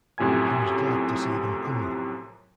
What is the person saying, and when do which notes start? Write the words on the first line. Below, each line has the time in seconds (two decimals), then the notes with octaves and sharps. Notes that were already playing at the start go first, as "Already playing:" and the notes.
He was glad to see them coming.
0.18 F#2 A2 C3 F3 G#5 G#6